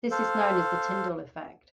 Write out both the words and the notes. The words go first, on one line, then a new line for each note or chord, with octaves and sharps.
This is known as the Tyndall Effect.
A4 C5 F5